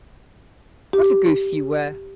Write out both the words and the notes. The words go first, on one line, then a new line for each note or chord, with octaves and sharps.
"What a goose you were."
G4